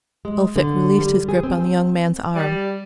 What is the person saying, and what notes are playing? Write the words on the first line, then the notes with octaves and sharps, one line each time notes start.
Elphick released his grip on the young man's arm.
G#3
D3
G3
G#4
C4
G3